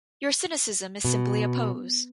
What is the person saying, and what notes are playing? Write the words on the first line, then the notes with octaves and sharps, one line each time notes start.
Your cynicism is simply a pose.
B2